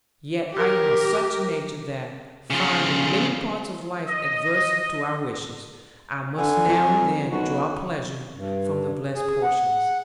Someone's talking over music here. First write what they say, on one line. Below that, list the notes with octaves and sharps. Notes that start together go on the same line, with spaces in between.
Yet I am of such nature, that finding many parts of life adverse to our wishes, I must now and then draw pleasure from the blessed portions.
G4 A#4
C#3 F3
D#5
D3 G#5
F2
B1 F#4
G2
G#4
F#5